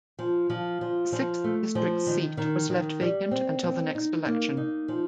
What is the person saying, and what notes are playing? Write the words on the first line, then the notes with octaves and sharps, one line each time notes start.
The sixth district seat was left vacant until the next election.
F3
F3
F3
F3
A3
F3
D#3
D#3
D#3
G3
C4
C4
D#4
A#3
D#4
F3